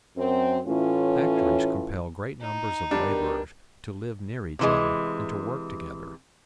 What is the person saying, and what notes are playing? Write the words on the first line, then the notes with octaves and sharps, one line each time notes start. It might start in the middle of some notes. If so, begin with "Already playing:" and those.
Factories compel great numbers of laborers to live near each other and to work together.
F#2 C4
A2 E3 A3 C#4 F4
D#4
B2 D3 G3 D4 G4 A#4
C3 E3 G#3